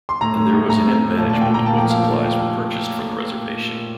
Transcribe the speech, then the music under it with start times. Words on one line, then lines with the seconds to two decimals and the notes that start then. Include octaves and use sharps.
And there was inept management of what supplies were purchased for the reservation.
0.09 C6
0.21 A2 A#5
0.37 A2
0.53 A2
0.69 A2 A#5
0.86 C4
1.02 A2
1.18 A#2 A5
1.29 A#2 A5
1.41 G5
1.50 A#2 A#5
1.66 A#3 A5
1.78 F3 G5
1.90 F5
1.98 F3